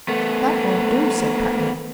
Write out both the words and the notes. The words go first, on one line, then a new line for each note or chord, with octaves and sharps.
"That won't do," said Putney.
A3 B3